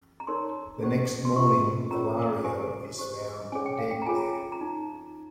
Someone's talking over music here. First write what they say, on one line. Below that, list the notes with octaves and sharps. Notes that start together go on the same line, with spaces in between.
The next morning Ilario is found dead there.
A#5
D#4 A#4 C#5 C6
C#4 G4 C5
C6
C#4 F4 A#4 C#6
C#4 F4 A#4 C#5 A#5
G4 C5 G#5
G4 C5
C#4 G#4 C#5 G#5
G5
F5
G5
A#5
F4 G#4 C#5 G#5
A#5
D#4